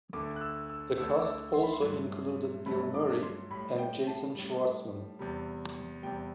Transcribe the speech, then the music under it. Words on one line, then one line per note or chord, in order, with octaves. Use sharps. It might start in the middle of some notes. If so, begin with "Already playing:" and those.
The cast also included Bill Murray and Jason Schwartzman.
D2 D3 A3 D6
F#6
E6
E6
D2 D3 A3 E6
D6
E6
C6
B5
C6
G2 F#3 A3
G2 F#3 A3 B5
D6
C6
A2 G3 B5
G5
A5
A2 G3
E2 C3 G3
E2 C3 G3 G5